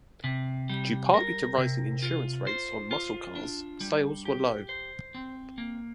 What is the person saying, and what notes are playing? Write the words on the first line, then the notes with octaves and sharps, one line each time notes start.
Due partly to rising insurance rates on muscle cars, sales were low.
C3
G3
A#4
C3
F4
C5
F4
D4
G3
G4
C5
C4
A#3